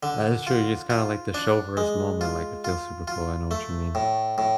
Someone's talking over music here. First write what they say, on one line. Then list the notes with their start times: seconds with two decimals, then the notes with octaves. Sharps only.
That is true, you just kinda, like, the show verse moment, like, it feels super cool, I know what you mean.
0.03 D3
0.47 F4
0.90 F4
1.34 D4
1.77 G#3
2.21 F4
2.64 F4
3.08 F4
3.51 A3
3.95 A2
4.38 A2